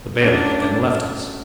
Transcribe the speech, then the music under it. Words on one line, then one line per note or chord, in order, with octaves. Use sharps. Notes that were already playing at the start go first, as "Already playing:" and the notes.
The bailiff then left us.
A2 F#3 A3 C#4 D4